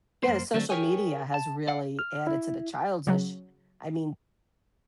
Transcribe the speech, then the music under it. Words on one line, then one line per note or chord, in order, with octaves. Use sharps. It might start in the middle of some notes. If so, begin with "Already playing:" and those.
Yeah, the social media has really added to the childish, I mean,
F#2 A#3 C5
D3 F#3 A3 C4 D4
G4 G#4 A#4 C#5 G5 G#5
A5
D5 F5 F#5
F6
E4
C#3 F#3